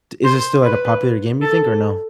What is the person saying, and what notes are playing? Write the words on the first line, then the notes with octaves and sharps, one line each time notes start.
Is this still, like, a popular game, you think, or no?
C5
B4
A4